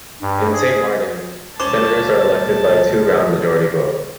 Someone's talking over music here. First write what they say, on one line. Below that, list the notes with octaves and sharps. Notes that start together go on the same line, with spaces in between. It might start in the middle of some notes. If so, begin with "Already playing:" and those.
In Saint-Martin, senators are elected by a two round majority vote.
G2
G#4
D2 B2 G3 C#4 C5 C#5 A5 D6